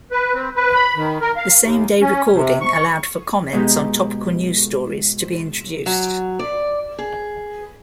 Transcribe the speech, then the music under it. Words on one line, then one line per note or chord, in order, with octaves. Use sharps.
The same-day recording allowed for comments on topical news stories to be introduced.
B4
C4
B4
B5
D#3
A#4
F5
D#2
C#4
C3
C#6
B2 G#3 D#4 G4
F#3
D5
G#4